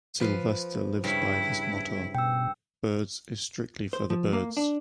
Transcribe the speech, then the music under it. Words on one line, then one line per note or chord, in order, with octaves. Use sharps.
Sylvester lives by this motto: Birds is strictly for the birds!
F3 B4 C6
G2 C#3 E4
B2 G5 E6
C5
F3
A#3
D4